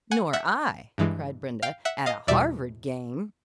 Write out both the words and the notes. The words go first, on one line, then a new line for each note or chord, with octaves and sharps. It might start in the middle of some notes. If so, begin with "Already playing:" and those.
"Nor I!" cried Brenda, "at a Harvard game!"
F#5 G#5
E5 F#5
G2 E3 G#3
F5 G5
E5 F#5
D#5 F5
E2 B2 G3 D5 E5